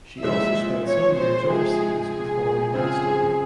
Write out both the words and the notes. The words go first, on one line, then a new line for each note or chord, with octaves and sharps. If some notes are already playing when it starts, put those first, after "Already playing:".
She also spent some years overseas performing and studying.
A#2 F3 G#3 E4 E5
C#5
C5
C3 F3 G#3 G#4
G#4
C#3 F3 C4 G#4